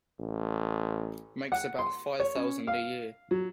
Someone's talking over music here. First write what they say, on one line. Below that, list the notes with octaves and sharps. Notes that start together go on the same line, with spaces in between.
Makes about five thousand a year.
A1
F#5
C6
C#5
C#4
F5
F#3